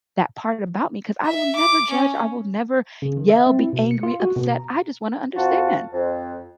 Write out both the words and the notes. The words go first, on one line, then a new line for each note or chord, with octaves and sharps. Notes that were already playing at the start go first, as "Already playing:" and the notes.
that part about me, 'cause I will never judge, I will never yell, be angry, upset. I just wanna understand.
E5
D6
C#4
C#3
D#3
E5
C4
E4
B2
C#7
F4
F#4
B2
A#5
F2 F4 F#4 A5
F2